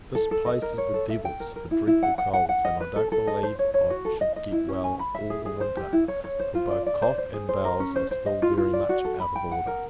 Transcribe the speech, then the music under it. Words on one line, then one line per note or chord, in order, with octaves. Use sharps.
This place is the devil's, for dreadful colds: and I don't believe I should get well all the winter; for both cough, and bowels, are still very much out of order.
A4
A4
D#5
A#4
C#5
A4
E5
G5
A#4
A#4
E4
E4
F#5
F#5
F#5
F#5
D#5
B4
A4
A4
D#5
C5
C#5
C#5
F#4
A4
D#5
D#5
E4
C#4
G#5
B5
E5
G#4
G#4
C5
G4
E4
C#5
C#5
C5
F4
D5
D5
C5
C5
G#4
C5
A#4
C#4
C5
C5
D#5
F4
F4
D5
F#4
A4
B5
G5
F#5
A#4